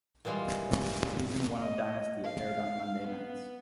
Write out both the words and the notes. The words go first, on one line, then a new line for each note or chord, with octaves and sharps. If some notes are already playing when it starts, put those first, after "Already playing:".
Season one of "Dynasty" aired on Monday nights.
A#2 E3 G3 G#3 F4
D#5
F5
B3